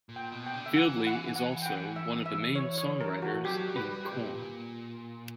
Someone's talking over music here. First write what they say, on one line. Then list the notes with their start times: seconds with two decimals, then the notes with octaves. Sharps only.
Fieldy is also one of the main songwriters in Korn.
0.09 A#2
0.16 G5
0.32 B2
0.46 G5
0.54 D3
0.66 E5
0.71 F#3
0.76 E3 F#5
1.07 F#5
1.36 F#5
1.62 G5
1.66 F#5
1.96 E5
2.26 E5
2.55 C#5
2.78 C#5
3.01 A#4
3.22 F#4
3.45 F#3 G4
3.68 G3
3.76 B4
3.90 G3
4.05 G4
4.13 A#2
4.35 A#2